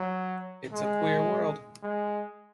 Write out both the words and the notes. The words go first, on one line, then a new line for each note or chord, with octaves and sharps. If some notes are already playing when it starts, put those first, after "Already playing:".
It’s a queer world.
Already playing: F#3
G#3
G#3